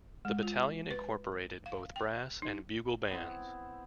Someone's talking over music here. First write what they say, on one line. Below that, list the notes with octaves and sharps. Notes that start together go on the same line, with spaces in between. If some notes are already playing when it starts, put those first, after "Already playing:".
The battalion incorporated both brass and bugle bands.
G#3
F4
B4
F5
G5
D#4
B3 C4 E4